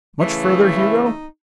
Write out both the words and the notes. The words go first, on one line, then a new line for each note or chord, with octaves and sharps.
"Much further, Hugo?"
C#3 E3 A3
E4
D#4